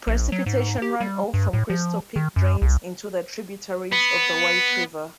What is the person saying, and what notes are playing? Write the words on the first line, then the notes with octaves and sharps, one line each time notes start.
Precipitation runoff from Crystal Peak drains into tributaries of the White River.
A#1
F#3
G#2
G4
G3
G2
A2
F3
D#3
F#2
C2
B3